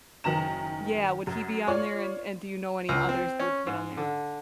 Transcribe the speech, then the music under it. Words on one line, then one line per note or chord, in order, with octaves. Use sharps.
Yeah, would he be on there, and and do you know any others you would put on there?
F#1 D#3 F#3 A#5 E7
F#2
F4 C#5 D5
C#2
C4
C#4
G#2
D3